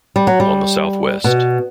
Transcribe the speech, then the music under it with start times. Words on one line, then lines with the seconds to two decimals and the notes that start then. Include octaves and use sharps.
On the Southwest.
0.16 G3
0.27 F#3
0.40 G3
1.24 B2